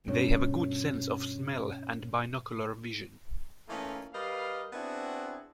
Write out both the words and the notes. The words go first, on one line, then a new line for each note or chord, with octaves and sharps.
They have a good sense of smell and binocular vision.
G2 B2 C#4 C#5
E3 A3 A#3 C#4 D#4 F4
G3 A#4 B4 D#5 F5
B3 C4 D4 E4 F#4 G#4